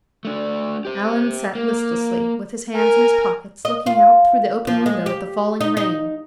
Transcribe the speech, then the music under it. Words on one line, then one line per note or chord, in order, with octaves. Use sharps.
Allan sat listlessly, with his hands in his pockets, looking out through the open window at the falling rain.
A3 D4
G4 C5
A#3
A#4 G#5
D#5
F4
F3
G#3
G4
D#4
D#4